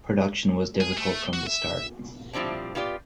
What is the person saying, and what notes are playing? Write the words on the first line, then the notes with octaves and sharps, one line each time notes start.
Production was difficult from the start.
G#4
A3
F#4
E5
A2 F3 G3 C4 D4
B3 F4 G4 D5